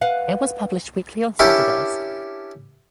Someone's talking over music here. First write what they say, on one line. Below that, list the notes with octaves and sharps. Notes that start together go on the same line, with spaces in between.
It was published weekly on Saturdays.
B4 F5 F#5
C#4 D4 E4 G4 A#4